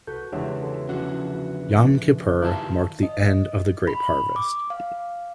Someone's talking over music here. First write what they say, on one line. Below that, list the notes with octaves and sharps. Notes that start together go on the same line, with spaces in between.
Yom Kippur marked the end of the grape harvest.
C2 F#4 A4 B4 G6
E2 C#3 G#3 D4 G4 C#5 E5 F#5
G4 A4
D3 F3 C#4 F#4
D#3 G3 E4 F4 A5
D#5
B5
D6
F5